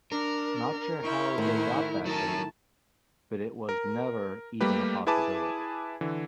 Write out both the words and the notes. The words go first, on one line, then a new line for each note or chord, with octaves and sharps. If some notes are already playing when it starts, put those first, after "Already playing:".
Not sure how they got that date, but it was never even a possibility.
D4 A#4
E4 F4 G5 C#6
A2 D#3 C#4 F#4 C5
F#3 A#4 A5
A#4
G3 A3 A#3 G4 B4
E4 G#4 B4 G#5 A5 D6
D3 E3